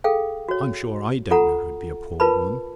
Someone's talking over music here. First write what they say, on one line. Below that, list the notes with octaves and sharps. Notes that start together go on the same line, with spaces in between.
I'm sure I don't know who'd be a poor woman!
G#4 A4 F5 G5
F#4 C#5
F4 A4 F#5 A#5
F4 A#4 B4 A5 B5